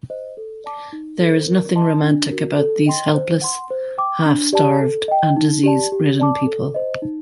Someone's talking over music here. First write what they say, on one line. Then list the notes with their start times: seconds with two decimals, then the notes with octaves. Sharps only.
There is nothing romantic about these helpless, half-starved, and disease-ridden people.
0.10 C5 D#5
0.37 A4
0.64 D5 A5 D6
0.93 D#4
1.20 A4 C5
1.48 A#4
1.76 D#5 A5 C6
2.04 D4
2.31 F#4 A#4
2.59 A4
2.86 D#5 G5 C6
3.14 C5
3.42 F#5 C6
3.71 C5
3.98 G5 D6
4.26 D4
4.53 G4 D5 A5
4.81 A4
5.08 D#5 G5
5.36 D#4
5.64 G4 D5 A5
5.92 G4
6.19 D5 A5 D6
6.47 A4
6.75 C5 D#5
7.02 D#4